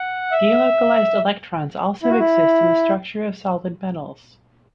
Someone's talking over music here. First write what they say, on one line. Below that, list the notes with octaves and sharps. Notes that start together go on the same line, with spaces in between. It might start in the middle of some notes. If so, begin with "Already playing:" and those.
Delocalized electrons also exist in the structure of solid metals.
Already playing: F#5
E5
E4
F#4
E4